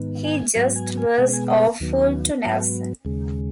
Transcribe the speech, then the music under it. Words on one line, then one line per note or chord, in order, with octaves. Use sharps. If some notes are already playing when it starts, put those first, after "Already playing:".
He just was awful to Nelson.
Already playing: G#2 D#3 B3
G#5
G#2 F#3 B3 G#5
G#5
G#5
B2 G#3 B3 G#5
G#5
D#5
D#2 D#3 F#3 B3
G#2 F#3 B3
D#2 C#3 G#3